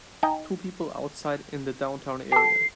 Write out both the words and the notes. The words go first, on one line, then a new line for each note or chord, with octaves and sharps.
Two people outside in the downtown area.
D#4 G5 G#5
G4 A4 C7